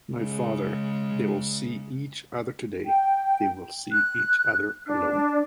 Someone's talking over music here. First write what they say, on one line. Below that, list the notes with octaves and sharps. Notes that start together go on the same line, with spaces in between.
My father, they will see each other today; they will see each other alone.
C#3 G#3
G5
F#6
D4